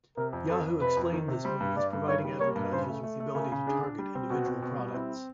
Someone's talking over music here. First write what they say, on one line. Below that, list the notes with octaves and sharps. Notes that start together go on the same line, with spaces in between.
Yahoo explained this move as providing advertisers with the ability to target individual products.
C3 A#4
F2
F2 A4
F2
C3 B4
F2
D#3
C3
G3 C5
G2
G2 D5
G2
D#3 C#5
G3
A#3 C#5
G2
C#3 C5
A3
A3
A3
C#3 A#4
C#3
D4 G#4
D4
G3
C4
B2 F#4
C4
B2
G3
C4 E4